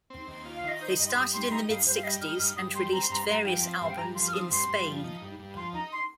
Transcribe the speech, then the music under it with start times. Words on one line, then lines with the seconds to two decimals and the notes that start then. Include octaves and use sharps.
They started in the mid sixties and released various albums in Spain.
0.10 C4
0.28 D#2
0.45 F4
0.55 F5
0.63 D#3 D#5
0.81 D#4 C5
0.99 G2 D#5
1.09 C6
1.16 G2 D#6
1.34 G3 C6
1.47 C6
1.52 D#4 A#5
1.69 G2 F5
1.86 G2 C5
1.96 F5
2.04 G3 D#5
2.21 D#4 F6
2.39 G2 F6
2.57 G2 D#6
2.74 G3 C6
2.92 C4 A#5
3.02 C6
3.10 G2 A#5
3.22 C6
3.28 G2 A#5
3.45 F3 G5
3.63 C4
3.81 G2 F5
3.90 G5
3.98 G2 A#5
4.15 F3 C6
4.28 F6
4.33 C4 D#6
4.51 G2 C6
4.69 G2
4.86 F3
5.04 D#4
5.22 G2
5.39 G2
5.57 F3 C6
5.74 D#4 A#5
5.92 C6